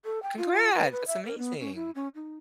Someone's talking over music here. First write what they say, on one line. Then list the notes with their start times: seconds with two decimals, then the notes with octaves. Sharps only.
Congrats! That's amazing.
0.05 A4
0.22 G5
0.38 F4
0.75 B4
0.92 B4
1.07 E5
1.25 A#4
1.38 B3
1.60 C#4
1.75 E4
1.95 C#4
2.15 D#4